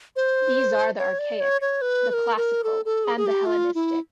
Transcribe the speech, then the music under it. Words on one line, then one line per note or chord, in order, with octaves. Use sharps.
These are the Archaic, the Classical and the Hellenistic.
C5
C#5
D5
C#5
C#5
B4
B4
A#4
A#4
A4
A4
G#4
G#4
G4
F4
E4